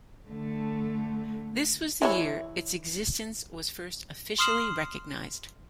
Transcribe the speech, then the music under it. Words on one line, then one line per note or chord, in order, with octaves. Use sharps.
This was the year its existence was first officially recognized.
D3 A3
E3 E4 C#5
C6 D#6 F6 C7 E7 F#7